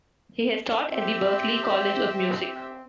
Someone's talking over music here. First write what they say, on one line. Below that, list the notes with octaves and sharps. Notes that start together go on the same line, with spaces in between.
He has taught at the Berklee College of Music.
C4 G4 E5